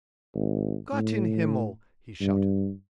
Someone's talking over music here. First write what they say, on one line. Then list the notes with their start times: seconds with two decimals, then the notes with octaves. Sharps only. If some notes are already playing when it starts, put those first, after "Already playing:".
"Gott in Himmel!" he shouted.
0.34 G#1
0.93 A2
2.21 G2